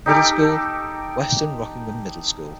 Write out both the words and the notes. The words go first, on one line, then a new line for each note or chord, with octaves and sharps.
Middle School: Western Rockingham Middle School.
D#4 G4 A4 D6